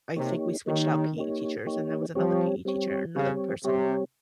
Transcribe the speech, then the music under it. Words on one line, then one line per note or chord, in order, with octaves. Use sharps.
I think we switched out PE teachers, and there was another PE teacher, another person.
C3 A#3 D#4 G4 C#5
D#3 A#3 D#4 G4 C#5
A#3 D#4 G4 C#5
A#3 D#4 G4 C#5
F3 G3 C4 G4 C#5
G3 C4 G4 C#5
C#3 G3 C4 G4 C#5
C3 G3 C4 G4 C#5